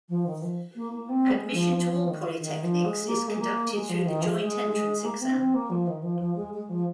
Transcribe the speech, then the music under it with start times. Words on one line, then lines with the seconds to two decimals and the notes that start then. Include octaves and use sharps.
Admission to all Polytechnics is conducted through the Joint Entrance Exam.
0.09 F3
0.26 D#3
0.42 F3
0.75 A#3
0.92 A#3
1.09 C4
1.30 G#3
1.53 F3
1.75 F3
1.91 F3
2.07 D#3
2.40 D#3
2.63 F3
2.85 G#3
3.06 A#3
3.28 G#3
3.39 A#3
3.72 G#3
3.89 F3
4.06 D#3
4.22 F3
4.39 G#3
4.71 G#3
5.04 A#3
5.21 C4
5.38 C4
5.54 A#3
5.70 F3
5.87 D#3
6.03 F3
6.20 F3
6.36 G#3
6.53 G#3
6.69 F3